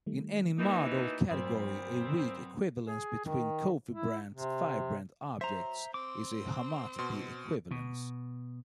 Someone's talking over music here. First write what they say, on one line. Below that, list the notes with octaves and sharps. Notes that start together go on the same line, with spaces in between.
In any model category, a weak equivalence between cofibrant-fibrant objects is a homotopy equivalence.
D#3 G3 A3
B2 E3 A#3 D#4
G2 A#2 F#3 B3 C4
G#4
D#3
E4
C3
F#3 C5 E5 A#5
C4 D6
B2 C6
B2